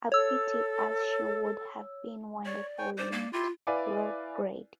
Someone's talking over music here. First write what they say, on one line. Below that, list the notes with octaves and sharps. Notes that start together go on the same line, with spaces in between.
"A pity as she would have been wonderful in it," wrote Grade.
A4 C#5 E6
C#5 D5
C#5 G5 G#5
C5 D5
A#3
E4 F4 G4 C6
E4 B4 D5 F5 G#5 D6